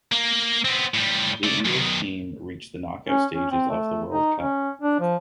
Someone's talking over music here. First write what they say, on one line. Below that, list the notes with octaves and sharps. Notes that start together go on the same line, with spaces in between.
The English team reached the knockout stages of the world cup.
A#3
B3 C4
A2 G3
A3 D5
B1 D#3
C#4
C#4
C4
A3
D#4
C#4
D4
F3